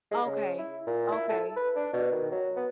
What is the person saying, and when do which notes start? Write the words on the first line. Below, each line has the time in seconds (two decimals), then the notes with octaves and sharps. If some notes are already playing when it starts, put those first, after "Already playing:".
Okay, okay.
0.11 G#3
0.26 C#3
0.59 E4
0.87 A#2
1.12 E4
1.29 A4
1.56 B4
1.76 D4
1.93 B2
2.12 D#3
2.32 F#3
2.56 B3